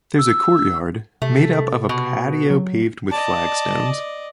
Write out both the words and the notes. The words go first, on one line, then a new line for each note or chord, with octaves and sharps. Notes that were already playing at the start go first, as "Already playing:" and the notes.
There is a courtyard made up of a patio paved with flagstones.
E6
C3 A3
B2
F#3
D5 D#5 A5